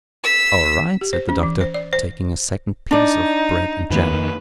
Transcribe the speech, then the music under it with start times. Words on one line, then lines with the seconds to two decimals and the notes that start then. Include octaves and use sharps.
"All right," said the Doctor, taking a second piece of bread-and-jam.
0.24 E6 B6
1.01 G4
1.13 C5
1.29 C#4
1.43 E3
1.61 C5
1.74 D5
1.93 C5
2.91 D4 D#4 D5
3.90 F2 D#3 A#3 B4